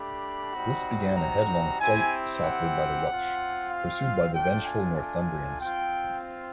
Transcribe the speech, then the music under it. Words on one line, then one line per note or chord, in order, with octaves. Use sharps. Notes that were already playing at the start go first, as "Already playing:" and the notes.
This began a headlong flight southward by the Welsh, pursued by the vengeful Northumbrians.
Already playing: A3 D4 G4 B5
G3 C4 D#4 F#4
A#5
C4 E4 G4 G#5
F#5
C4 F4
F5
A3 D4 F4 G5
G#5
G#5
C4 F4 G5